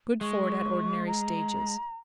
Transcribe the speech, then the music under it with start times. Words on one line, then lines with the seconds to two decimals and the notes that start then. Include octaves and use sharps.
Good ford at ordinary stages.
0.21 G#3 C#6
1.07 A#5